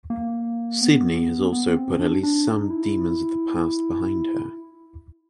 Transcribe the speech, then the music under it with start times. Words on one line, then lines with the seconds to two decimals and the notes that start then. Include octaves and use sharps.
Sydney has also put at least some demons of the past behind her.
0.10 A#3
0.81 B3
1.52 B3
1.76 C4
1.99 D4
2.23 D4
2.47 D#4
2.70 E4